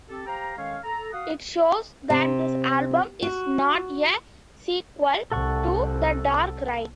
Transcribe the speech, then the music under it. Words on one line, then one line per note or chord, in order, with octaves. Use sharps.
It shows that this album is not a sequel to 'The Dark Ride'.
C4 G4 A4
G4 C5 F5 G5 A#5
D#3 G#3 C#4 A4 C#5 F5
A4 A#5
F#4 F5 F#5 D#6
C3
F#4
C2 A4 F#5 C#6